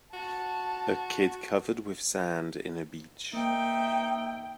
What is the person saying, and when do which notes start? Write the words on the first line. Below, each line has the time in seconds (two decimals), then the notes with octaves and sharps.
A kid covered with sand in a beach.
0.13 F#4 A5
3.33 A#3 D#4 E5 G5